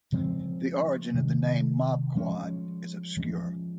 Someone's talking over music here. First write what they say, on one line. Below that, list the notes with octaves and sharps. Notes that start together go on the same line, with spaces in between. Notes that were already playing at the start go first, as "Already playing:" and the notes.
The origin of the name "Mob Quad" is obscure.
C#3 F3 G#3 C4
C3 D#3 G#3 C#4
F3 G#3 C#4
F3 G#3 C#4